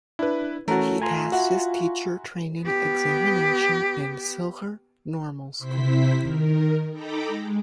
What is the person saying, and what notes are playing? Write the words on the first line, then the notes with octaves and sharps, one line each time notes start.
He passed his teacher training examination in Silchar Normal School.
D4 E4 B4
E3 A3 C#4 F#4 A#4 A5
F4 G#5 A#5 C6
E4 F#4 F#5
B3 G4
C3 E4 C5 B6
D#3 A#4
D#4 A4 G5 A#5 B5 D6
G#3